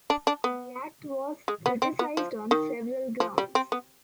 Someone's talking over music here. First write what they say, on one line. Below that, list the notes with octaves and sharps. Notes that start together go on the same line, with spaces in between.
The act was criticized on several grounds.
D4
D4
B3
G#3
B3
C4
B3
F3
D#3
F3
G3
C4
B3